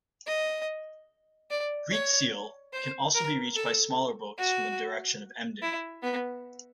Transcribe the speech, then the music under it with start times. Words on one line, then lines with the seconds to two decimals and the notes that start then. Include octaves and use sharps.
Greetsiel can also be reached by smaller boats from the direction of Emden.
0.27 D#5
1.50 D5
1.91 C#5
2.73 C5
3.14 A#4
3.56 A4
4.38 F#4
5.62 E4
6.03 B3